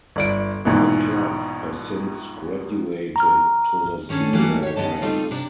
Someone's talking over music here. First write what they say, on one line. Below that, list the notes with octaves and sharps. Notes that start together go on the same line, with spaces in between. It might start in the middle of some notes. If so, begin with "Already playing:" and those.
The club has since graduated to the senior ranks.
G1 D5 D7
A#1 G#2 B2 E3
A#5 F6
D#3 C#4 D4 G#4 A4
E3 G3 A3 A#3 F#4 A4
G4 C#5
C#3 A3 B3 D#5 A5
G3 A3 C4 D#4 F4
C3 D4